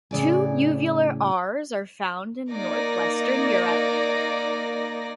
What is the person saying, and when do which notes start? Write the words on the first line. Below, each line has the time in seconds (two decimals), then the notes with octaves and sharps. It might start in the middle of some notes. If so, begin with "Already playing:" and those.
Two uvular Rs are found in north-western Europe.
0.11 A2 C#3 D5 G#5
2.50 A#3 D#4 D5 A#6